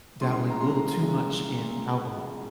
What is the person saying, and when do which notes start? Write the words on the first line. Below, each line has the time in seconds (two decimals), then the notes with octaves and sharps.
dabbling a little too much in alcohol.
0.20 C2 A#2 G#3 C#4 C6
0.31 C6
0.50 A#5
0.60 C2 A#2 G#3 C#4 C6
1.00 C2 A#2 G#3 C#4